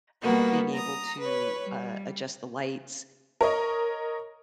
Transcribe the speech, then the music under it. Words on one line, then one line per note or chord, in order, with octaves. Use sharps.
uh, being able to, uh, adjust the lights
G3 A#3 B3 F#4
A#5 D#6
B4 C#5
G3
A#4 C#5 D#5